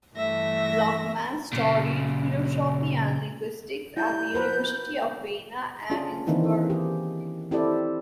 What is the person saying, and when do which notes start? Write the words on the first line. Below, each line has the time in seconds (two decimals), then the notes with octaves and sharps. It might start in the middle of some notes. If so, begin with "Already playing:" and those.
Luckmann studied philosophy and linguistics at the University of Vienna and Innsbruck.
0.15 G2 E3 A3 E5 A#6
1.53 A#2 C#3
3.97 G3 C#4 E4 G6
4.34 F3 F#4 A#4 B4
5.90 C#4 D4 F4 G#4
6.26 D#3 E3 A#3 C4 D#4 E4
6.70 G4 G#4
7.51 C4 E4 G4 A4 D5